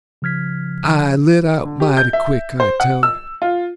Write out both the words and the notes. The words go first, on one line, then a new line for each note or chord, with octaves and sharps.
I lit out mighty quick, I tell you.
C#3 F3 F6 G#6 B6
D3
G4
G6
E5
C5
F#5
E6
F4